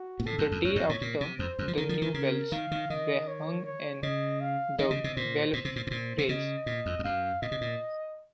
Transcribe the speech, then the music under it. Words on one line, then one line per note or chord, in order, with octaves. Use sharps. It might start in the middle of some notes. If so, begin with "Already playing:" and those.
The day after, the new bells were hung in the belfries.
Already playing: F#4
A#2
A2 A4
F#2
F2
F#2 C#5
F#2
A2
A#2
C3
F2 C5
F#2
F3
D#3 A#4
F3
D#3
C#3 A#4
D#3 F5
D#3
D#3 D#5
C#5
C#5
C#3 D#5
F5
D#3 D#5
C#3
C3
A#2 C5
A#2 C5
C3
A#2
A2
A#2
C3
C#3 D#5
A#2
F2
F2
F#2 F5
A#2 D#5
C3
A#2